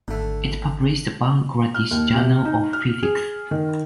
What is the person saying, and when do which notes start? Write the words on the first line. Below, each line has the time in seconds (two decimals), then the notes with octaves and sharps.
It publishes the Bangladesh Journal of Physics.
0.08 G#1 D3 A3
1.75 F6
1.91 D#2
2.14 C3
2.45 D#4
2.73 F6
3.03 G#4
3.51 D#3